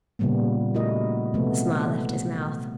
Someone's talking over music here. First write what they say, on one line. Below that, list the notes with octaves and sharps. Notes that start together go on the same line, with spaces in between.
The smile left his mouth.
A#2 C#3 G3 A#3 B3
A3 E4 F#4 A#4 D#5
C3 F3 G#3 A3 B3